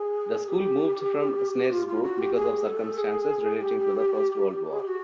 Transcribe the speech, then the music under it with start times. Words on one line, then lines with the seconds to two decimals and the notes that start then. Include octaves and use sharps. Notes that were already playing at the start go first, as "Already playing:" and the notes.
The school moved from Snaresbrook because of circumstances relating to the First World War.
Already playing: G#4
0.44 G#4
0.48 G4
1.72 F4
1.87 F4
2.03 F#4
2.19 G4
2.35 G#4
2.66 A4
2.97 G#4
3.61 G4
4.72 G#4
4.80 G4
4.88 F#4